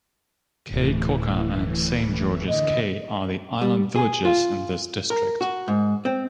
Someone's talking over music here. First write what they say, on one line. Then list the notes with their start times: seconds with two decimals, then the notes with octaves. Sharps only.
Caye Caulker and Saint George's Caye are the island villages in this district.
0.74 D1 A2 E3
2.48 D3 E3 D#5
3.61 G3
3.95 G#4
4.25 F4
5.10 A#4
5.41 F#4
5.68 G#2
6.05 C4